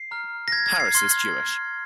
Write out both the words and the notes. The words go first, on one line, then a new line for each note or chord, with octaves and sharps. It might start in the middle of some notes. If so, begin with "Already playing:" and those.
Harris is Jewish.
Already playing: C7
A#5 F6
A#6
G#6
G#6
C7
C6 F6